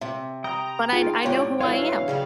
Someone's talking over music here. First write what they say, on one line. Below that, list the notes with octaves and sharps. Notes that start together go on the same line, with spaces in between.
but I I know who I am,
C3 E5
G5 A#5 B5 D#6
D#4 F4 G#4 G5
G#2 D3 G4 C#5
E4 F#4 A4 B4 C#5 F5 G#5
F#2 C#3 G3 F5